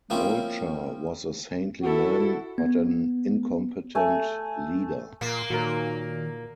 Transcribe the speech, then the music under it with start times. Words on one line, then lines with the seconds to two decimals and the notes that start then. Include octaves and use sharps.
Walcher was a saintly man but an incompetent leader.
0.10 F3 A#3 C4 C#4 E4
1.83 E4 F#4 A4
2.58 B3
3.95 A3 G#5
5.21 A#2 A#3 C7
5.50 A#2 D#3 F#3 A#4